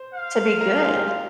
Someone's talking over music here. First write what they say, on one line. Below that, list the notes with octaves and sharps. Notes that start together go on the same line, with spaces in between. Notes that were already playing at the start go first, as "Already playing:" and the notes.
to be good,
Already playing: C5
F5
A#4
G#4
F4
G4
F4